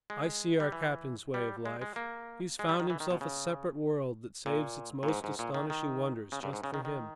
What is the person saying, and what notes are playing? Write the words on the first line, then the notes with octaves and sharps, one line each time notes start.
"I see our captain's way of life! He's found himself a separate world that saves its most astonishing wonders just for him!"
G#3
G3
E3
G3
G#3
G#3
A#3
G#3
G3
D#3
E3
D#3
B2
C#3
A#2
A#2
G#2
G#2
A#2
D#3
D#3
C#3
G2
G#2
C#3
D#3
D#3